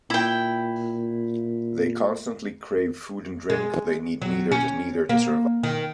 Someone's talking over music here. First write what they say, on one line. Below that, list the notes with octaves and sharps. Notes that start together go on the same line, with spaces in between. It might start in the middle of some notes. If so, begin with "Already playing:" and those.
They constantly crave food and drink, although they need neither to survive.
A#2 E4 G5
G#3
F#3
C#4
A#3
D#3